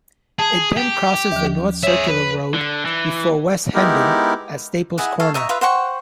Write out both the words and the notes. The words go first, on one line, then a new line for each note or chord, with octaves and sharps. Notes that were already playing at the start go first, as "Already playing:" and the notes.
It then crosses the North Circular Road before West Hendon at Staples Corner.
G#4 A5
G4
D#2 F3
G#4 C#5 E5
B4
D3
E3
G#3 B3 D#4 E4 G4 A#4
E4 G#4 D#5 F#5
A4 C#5 F5
D#5 E5 A#5 C#6
F4 B4 E5 F5
C5 F#5 G5 C#6